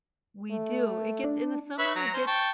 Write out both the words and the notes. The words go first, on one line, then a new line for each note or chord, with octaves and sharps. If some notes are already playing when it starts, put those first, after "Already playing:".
We do. It gets in the summer, it gets,
A3
D4
B4 C#5 E5
F#3 A#5
C#4 C5
G5 A5 C#6